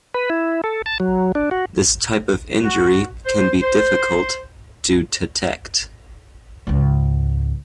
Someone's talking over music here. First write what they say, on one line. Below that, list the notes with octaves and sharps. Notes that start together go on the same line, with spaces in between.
This type of injury can be difficult to detect.
B4
E4
A4
A5
F#3
D4
F#4
F#4
C5
C5
C#2 G#2